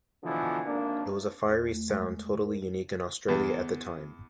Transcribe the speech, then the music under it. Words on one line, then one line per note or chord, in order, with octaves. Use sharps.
It was a fiery sound totally unique in Australia at the time.
B2 D3 E3 F3
G#1 A#3 D4
E2
A3
G#3
A#4
E2